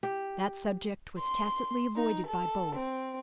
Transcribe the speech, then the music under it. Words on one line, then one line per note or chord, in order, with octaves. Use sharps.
That subject was tacitly avoided by both.
G4
C6
D#4
A4
C4